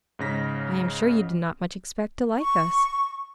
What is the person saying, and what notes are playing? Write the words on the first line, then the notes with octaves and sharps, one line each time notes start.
I am sure you did not much expect to like us.
G#2 C#3 A#6 B6
C#6